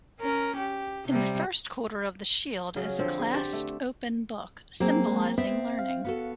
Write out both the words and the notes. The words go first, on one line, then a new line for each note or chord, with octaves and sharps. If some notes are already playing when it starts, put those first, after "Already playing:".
In the first quarter of the shield is a clasped open book, symbolising learning.
C#4 A#4
G4
C3 G3
C#3 F#3 C#4 G#4
D3 F3 C4 C#5
G#4
G4 C5 D5 G5
A3
F#3 A#3 C4 G#4
G#3
B3 C4 E5
F5
B3 F#4 A4